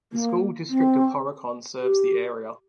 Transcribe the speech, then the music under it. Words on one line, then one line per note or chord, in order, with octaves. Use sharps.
The School District of Horicon serves the area.
A#3
C4
G4